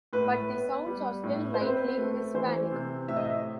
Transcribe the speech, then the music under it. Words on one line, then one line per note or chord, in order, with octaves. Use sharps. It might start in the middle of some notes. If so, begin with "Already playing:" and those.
But the sounds are still lightly Hispanic.
A2 B4
B3
G3
A2
C5
C4 B4
A3
E3 C5
C3
A2 E5
D#5
E5